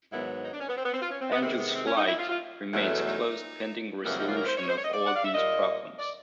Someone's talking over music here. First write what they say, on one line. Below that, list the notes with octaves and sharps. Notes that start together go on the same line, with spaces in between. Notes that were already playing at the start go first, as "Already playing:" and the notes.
Angels Flight remains closed pending resolution of all these problems.
G#2 D#3 F#3 B3 E4
D#4
D4
C#4
B3
C4
B3
C4
F4
C#4
C4
B3
C3 D#3 G#3 B3 C4
B3
C4
C#4
D#4
E4
F4
F4
E2 B2 F#3 A3
D#4
F#2 C#3 E3 G3 A#3 B3
C4
D#4
F4
A#4
C5
C#5
C5
C#5
D#5
D5
F#5
F5
E5
A#2 G3 A#3 D#5
D5